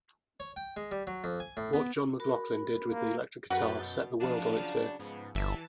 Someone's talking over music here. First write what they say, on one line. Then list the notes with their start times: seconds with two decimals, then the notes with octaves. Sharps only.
What John McLaughlin did with the electric guitar set the world on its ear.
0.40 C#5
0.56 G5
0.77 G#3
0.92 G3
1.07 F#3
1.24 F2
1.40 G#5
1.57 A2
1.73 B3
2.20 F#4 A#4 B5
2.90 A#3
3.50 F#2 C4 F#4 A#4 B4 F#5 G6 A6
3.82 B2
4.20 C#3 F3 F#3 D4 F5 D#7
4.99 G#2 C#3 F3 B3
5.35 G1 E3 G3 E5 A5